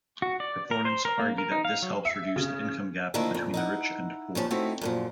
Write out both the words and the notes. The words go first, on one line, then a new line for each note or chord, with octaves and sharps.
Proponents argue that this helps reduce the income gap between the rich and poor.
F#4
D5
A#4
C5
A#4
A#3
A#4
D#4
F5
F#3
E5
C#3
D3 D#3 F3 A3 A#3 E4
F2 A#2
D#4 E4 F#5
D#2 F3 C#4 A5
A3 C4 C#4 D#4 E4 F#4
F#2 A#2 F3